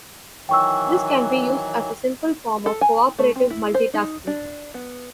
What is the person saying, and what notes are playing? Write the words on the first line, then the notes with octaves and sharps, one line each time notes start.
This can be used as a simple form of cooperative multitasking.
D#3 E3 F#3 G5 C#6 E6
A4
G#5
A3
C4
E4
C5
D#4
D4
B3